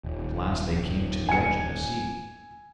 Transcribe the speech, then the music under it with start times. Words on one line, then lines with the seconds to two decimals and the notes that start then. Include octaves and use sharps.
At last they came to the edge of the sea.
0.04 D#1
1.29 G#5 C#7